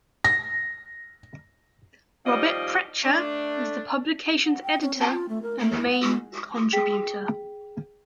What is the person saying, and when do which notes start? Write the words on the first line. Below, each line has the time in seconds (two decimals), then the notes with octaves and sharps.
Robert Prechter is the publication's editor and main contributor.
0.24 A#6
2.25 D#2 F3 G3 D5 D#5
3.03 A3 D4
4.45 F#5
4.63 G5
4.81 C#4
4.96 C4
5.10 F4
5.29 A3
5.43 A#4
5.60 A3
5.76 E4
5.91 F#5
6.03 G#3
6.73 G#4 G5 B6